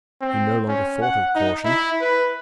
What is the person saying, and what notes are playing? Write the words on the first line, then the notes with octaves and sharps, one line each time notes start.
He no longer thought of caution.
C4
C#4
F#5
D#4
E4
B4